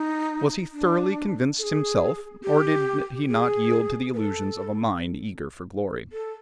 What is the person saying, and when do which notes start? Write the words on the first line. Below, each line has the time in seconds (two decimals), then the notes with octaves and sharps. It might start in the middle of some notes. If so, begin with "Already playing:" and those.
Was he thoroughly convinced himself, or did he not yield to the illusions of a mind eager for glory?
Already playing: D#4
0.73 D4
1.59 A4
1.64 G#4
2.44 G4
3.29 G#4
4.14 B4
4.17 A4
6.12 A4